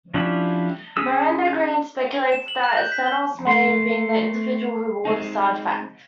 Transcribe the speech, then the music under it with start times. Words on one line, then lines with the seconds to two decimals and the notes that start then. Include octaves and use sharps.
Miranda Green speculates that Senilis may have been the individual who wore this artifact.
0.14 F3 C#4 D4 E4 G4
0.97 C#4 G#4 E6
2.32 E7
2.48 F#7
2.63 F#6
2.77 G6
2.92 B6
3.06 G7
3.47 A3 C6 C7
5.05 G#3 C4 D#4